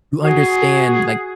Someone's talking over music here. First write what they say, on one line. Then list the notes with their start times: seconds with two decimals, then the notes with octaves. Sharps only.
you understand, like,
0.23 F#4 G#4